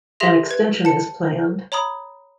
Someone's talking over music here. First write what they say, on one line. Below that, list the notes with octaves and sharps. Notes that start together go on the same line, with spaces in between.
An extension is planned.
G4 G#4 E5 C6 A#6 F7
B4 G#6
A5 C#7
C#5 A#5 B5 D#6